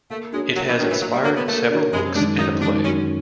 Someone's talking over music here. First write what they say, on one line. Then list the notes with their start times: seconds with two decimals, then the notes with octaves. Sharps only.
It has inspired several books and a play.
0.10 A3 A#3
0.32 G#3 D4 F#4 A#4 C#5
0.55 F#3 A#3
0.68 E3
0.78 D#3 D4 F#4 A#4 C#5
0.90 E3
1.01 F#3 A#3
1.13 G3
1.24 A#3 D4 F#4 A#4 C#5
1.36 B3
1.47 A3 A#3
1.70 D4 F#4 A#4 C#5
1.92 F#2 G#3
2.15 G#3 D4
2.20 D#3
2.38 F#2 D#4
2.61 D#3 G#3 D4
2.84 F#2 C#4